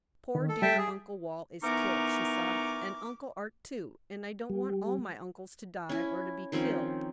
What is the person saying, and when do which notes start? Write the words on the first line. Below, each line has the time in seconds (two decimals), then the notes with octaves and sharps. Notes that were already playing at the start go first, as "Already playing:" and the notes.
"Poor, dear Uncle Wal is killed," she sobbed; "and Uncle Art too, and I don't want all my uncles to die or to be killed."
0.35 D#3
0.49 A4
0.62 G3 E5 G5 A5
0.78 G#4
1.63 E3 B3 D#4 A#4 C#6 D6
4.50 G3
5.89 C#4 E4
6.52 D#3 F3 C4 C#4